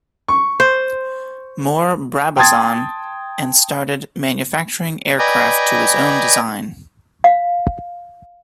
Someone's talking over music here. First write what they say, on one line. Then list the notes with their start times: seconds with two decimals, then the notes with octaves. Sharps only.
Moore-Brabazon, and started manufacturing aircraft to his own design.
0.28 C#6
0.60 C5
2.37 G5 A5 C6 D#6 G#6 A6
5.19 B4 D5 D#5 G5 G#5 A#5
7.24 F5